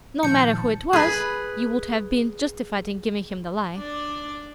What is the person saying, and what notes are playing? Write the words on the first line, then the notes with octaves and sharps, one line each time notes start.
No matter who it was, you would have been justified in giving him the lie.
A#2 D#3 F3 A5 G6 C#7
G#4 B4
D4 D5